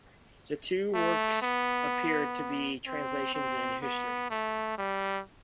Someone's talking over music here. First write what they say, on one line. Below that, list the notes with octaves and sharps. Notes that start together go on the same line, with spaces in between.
The two works appear to be translations and history.
A3
B3
C4
C4
B3
A3
G3